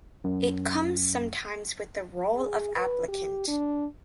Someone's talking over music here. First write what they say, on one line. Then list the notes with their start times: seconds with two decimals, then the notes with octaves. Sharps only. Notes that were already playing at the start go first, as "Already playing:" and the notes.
It comes sometimes with the role of applicant.
0.24 F#2
2.35 G#4
2.76 B4
3.08 G4
3.48 D4